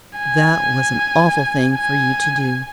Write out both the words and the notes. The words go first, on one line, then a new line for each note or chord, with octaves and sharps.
That was an awful thing for you to do.
G#5
G#5